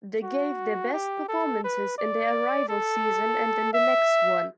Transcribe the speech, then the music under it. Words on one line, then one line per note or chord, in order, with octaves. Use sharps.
They gave their best performances in their arrival season and in the next one.
F#4
G4
A4
B4
D5
A4
E5